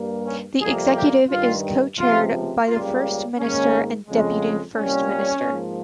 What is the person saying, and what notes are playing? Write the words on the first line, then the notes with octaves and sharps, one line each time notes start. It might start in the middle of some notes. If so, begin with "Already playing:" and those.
The Executive is co-chaired by the First Minister and deputy First Minister.
Already playing: G2 G3 A#3
C#4
F2 C3 G3 A#3 G#4
G4
G2 D#3 G3 F4
C#2 C3 F3 F4
C#2 C#3 G3 A#3 F4
G#2 D#3 A#3 C#4
F2 C#3 G#3
C2 A#2 G3 C#4
G#2 F3 A#3